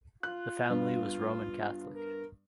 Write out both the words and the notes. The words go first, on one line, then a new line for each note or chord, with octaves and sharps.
The family was Roman Catholic.
F4 F#6
G2 B3
A#4